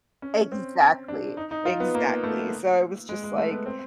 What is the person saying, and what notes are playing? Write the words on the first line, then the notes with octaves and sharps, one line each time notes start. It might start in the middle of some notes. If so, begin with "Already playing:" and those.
exactly, exactly. So, I was just like
C#4
C4
D4
D#4
D#4
F4
B3
A#3
A3
G#3
G#3
A3
B3
C4